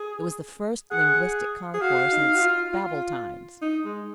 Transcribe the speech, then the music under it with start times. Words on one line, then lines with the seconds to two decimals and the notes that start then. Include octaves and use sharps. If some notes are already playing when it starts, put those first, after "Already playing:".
It was the first linguistic concourse since Babel times.
Already playing: G#4
0.91 G#4 F#5
1.74 G#4
1.82 F#4 F5
2.12 D#4
2.35 F#4
2.41 F4
2.72 F4
3.62 D#4
3.85 G#3